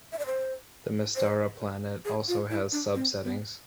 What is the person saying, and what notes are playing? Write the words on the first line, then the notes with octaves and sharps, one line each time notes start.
The Mystara planet also has sub-settings.
E5
D5
C5
C5
G#4
F4
E4
D4
C4
B3